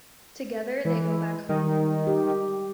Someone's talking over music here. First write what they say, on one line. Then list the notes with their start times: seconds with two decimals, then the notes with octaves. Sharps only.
Together, they go back home.
0.85 E3 G#3
1.49 D#3 G3
2.07 G4